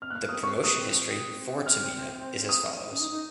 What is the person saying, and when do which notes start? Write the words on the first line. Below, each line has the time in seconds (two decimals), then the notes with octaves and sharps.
The promotion history for Tomita is as follows.
0.01 C4 F6
0.10 A#3 F#6
0.15 F6
0.22 A#3
0.29 C4 D#6
0.43 C4 C#6
0.63 A#3 D#6
0.73 C4
1.25 C4
1.66 F6
2.49 D#6
2.90 C#4
3.00 D#4
3.10 D#4